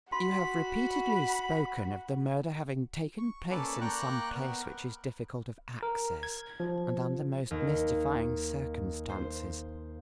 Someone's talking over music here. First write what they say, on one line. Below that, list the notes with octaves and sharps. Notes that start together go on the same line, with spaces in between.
You have repeatedly spoken of the murder having taken place in some place which is difficult of access and under most mystifying circumstances.
F#4 B5 C6
C#6
A#3 C#4 A4 B4 D5 A5
A#3 D5 G5 A#5 C#6 F#6
B3 A#4
A#4
G#6
F3
D#2
C5